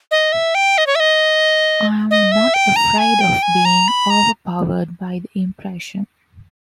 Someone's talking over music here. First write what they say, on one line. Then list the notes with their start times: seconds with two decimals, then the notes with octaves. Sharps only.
I am not afraid of being overpowered by the impression.
0.11 D#5
0.32 E5
0.55 G5
0.78 D#5
0.87 C#5
0.95 E5
1.00 D#5
2.11 D#5
2.32 E5
2.54 G5
2.76 A#5
2.98 G#5
3.21 G5
3.43 G#5
3.65 A#5
3.88 B5
4.10 A#5